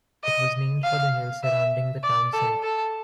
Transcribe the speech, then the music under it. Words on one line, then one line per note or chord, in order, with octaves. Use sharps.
It was named for the hills surrounding the town site.
D#5
F5
E5
D5
A4
A4